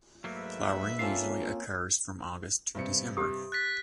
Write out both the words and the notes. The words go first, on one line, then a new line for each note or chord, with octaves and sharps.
Flowering usually occurs from August to December.
G#2 F#3 A3 A#3 B4 E5
A#3 C4 C#4 F4 A4 F5
G2 C3 C#7
G4 D#6
F#6 A6 B6